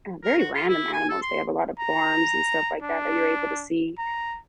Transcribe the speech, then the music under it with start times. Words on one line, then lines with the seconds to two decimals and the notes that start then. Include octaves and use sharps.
uh, very random animals. They have a lot of farms and stuff like that, that you're able to see,
0.24 A#4
0.38 F#4
0.54 F4
0.68 E4
0.93 G#5
1.09 A4
1.22 C6
1.80 A#5
2.82 D4
3.98 A#5